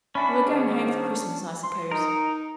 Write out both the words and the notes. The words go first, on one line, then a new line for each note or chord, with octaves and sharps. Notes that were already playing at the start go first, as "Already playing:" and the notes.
"You are going home for Christmas, I suppose."
C#4 D4 F#4 E5 G#5 B5
G#2 D#3
C6
D#4 A#4